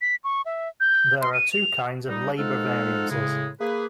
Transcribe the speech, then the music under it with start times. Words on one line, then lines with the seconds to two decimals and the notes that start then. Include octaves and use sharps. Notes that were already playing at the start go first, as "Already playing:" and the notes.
There are two kinds of labour variances.
0.01 B6
0.24 C#6
0.46 E5
0.80 G6
1.21 C6
1.34 D#7
1.52 F7
2.09 G3 D#4
2.38 F3 G#3 D#4 A4 F#5 F6
3.10 A2 C#3 G#3
3.60 A#3 G#4 B4